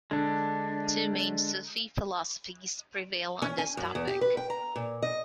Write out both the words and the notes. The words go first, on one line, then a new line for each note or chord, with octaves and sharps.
Two main Sufi philosophies prevail on this topic.
D3 G#3 D4
C#4
G#5
F#2
E2
G4
B4
G5
A#5
A#2
D#5